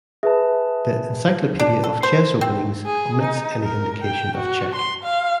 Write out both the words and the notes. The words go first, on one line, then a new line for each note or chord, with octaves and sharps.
The "Encyclopedia of Chess Openings" omits any indication of check.
G#4 B4 E5 A5
D4
A4
C5
C4
G#4
D#4
A#4
G5
F#4
C6
F5